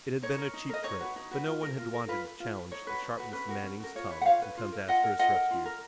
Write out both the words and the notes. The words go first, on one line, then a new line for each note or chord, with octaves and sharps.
It had been a cheap trick, but no one had wanted to challenge the sharpness of Manning's tongue and come to Astro's rescue.
D#4 C#5
A#4
D#4
A#4 D#5
D#4 C#5
F#4 B4
D#4
F#4 B4
F4
A#4
F4
A#4
F4 B4
B4
F4
B4
D#4 C#5
F#4 B4
D#4
F#4 B4
C#4 B4
F#4 A#4
C#4
F#4 A#4
F4 C#5
B4 C#5
F#5
F4 C#5 F5
B4
F4
A#4
F4 D#5 F#5
A#4
F4 D#5 F#5
A#4
F4
A#4